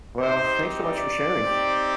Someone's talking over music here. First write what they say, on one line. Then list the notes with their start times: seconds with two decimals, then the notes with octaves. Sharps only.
Well, thanks so much for sharing.
0.20 C4 D#4 G4 C5
0.81 D5
1.42 C4 D#4 G4